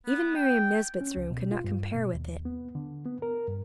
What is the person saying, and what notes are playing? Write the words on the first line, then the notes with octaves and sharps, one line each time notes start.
Even Miriam Nesbit's room could not compare with it.
B3
G5
C#4
C#2
B2
F4
G2
B2
D#2
B3
D3
B3
A#4
G2